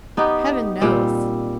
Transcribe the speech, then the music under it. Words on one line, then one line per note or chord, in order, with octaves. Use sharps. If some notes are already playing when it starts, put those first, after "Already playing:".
"Heaven knows...."
B3 D#4 G4
A#2 G3 C4